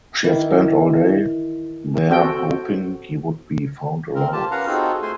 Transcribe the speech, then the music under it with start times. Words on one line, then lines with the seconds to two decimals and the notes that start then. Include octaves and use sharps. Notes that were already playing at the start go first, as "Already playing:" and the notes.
She had spent all day there hoping he would be found alive.
0.24 D#3 E3 E4
2.10 C4 F#4 A4 G5
4.15 C4 A#4
4.33 F4 G4 A5
4.51 C#4 A#4 B4 F5 F#5 A#5
4.67 C4 D#4 F4 F#4 G#4 A4
5.02 A3 C5 G#5 C6